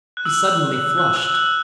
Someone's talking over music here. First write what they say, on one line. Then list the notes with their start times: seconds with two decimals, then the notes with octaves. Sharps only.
He suddenly flushed.
0.17 F#6
0.25 E6
0.98 F#6
1.16 E6
1.34 F#6